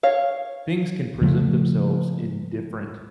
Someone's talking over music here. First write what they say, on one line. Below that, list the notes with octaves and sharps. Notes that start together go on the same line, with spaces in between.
things can present themselves in different
C#5 F5
C#3 F3 A3